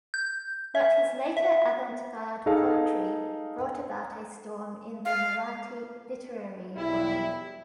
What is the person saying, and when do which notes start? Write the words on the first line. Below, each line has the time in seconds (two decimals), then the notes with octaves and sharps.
But his later avant-garde poetry brought about a storm in the Marathi literary world.
0.14 G6
0.75 E5
1.37 E5
2.46 D#4 G#4 A4 F5
5.05 F5
6.76 B1 G3 E4